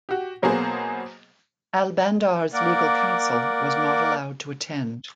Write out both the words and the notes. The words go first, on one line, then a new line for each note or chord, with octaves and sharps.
Al-Bandar's legal counsel was not allowed to attend.
F#4 G4
B2 F#3 A#3 B3 G#4 C5
A#3 A#4 D5 F#5